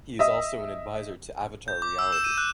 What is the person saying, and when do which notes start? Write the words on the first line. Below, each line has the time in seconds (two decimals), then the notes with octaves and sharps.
He is also an advisor to Avatar Reality.
0.19 D#5 E5 D#6
1.68 G6
1.82 D6
1.99 E6
2.13 E7
2.24 D#7
2.38 F#6